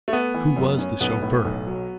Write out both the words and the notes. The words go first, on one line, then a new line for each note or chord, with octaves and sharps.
Who was the chauffeur?
A3
B3 A4
E3
F#2
C#4
B1 B3
A2
B1
F#3